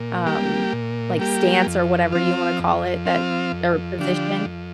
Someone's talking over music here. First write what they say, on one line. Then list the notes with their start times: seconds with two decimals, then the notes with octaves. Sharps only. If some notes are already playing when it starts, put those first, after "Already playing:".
um, like, stance or whatever you wanna call it that or position.
Already playing: A#2
0.26 G3 A#3 G4
0.73 A#2
1.19 G3 A#3 G4
1.67 F2
2.12 F3 C4 F4
2.59 F2
3.05 F3 C4 F4
3.52 F2
3.99 D3 F3 D4 G4
4.45 F2